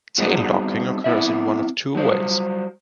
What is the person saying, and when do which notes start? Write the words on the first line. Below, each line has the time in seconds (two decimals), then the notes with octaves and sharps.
Tail docking occurs in one of two ways.
0.18 G3 B3 C4 D#4 F#4 G#4
1.04 B3 C4 E4 E5
1.95 F#3 G3 C5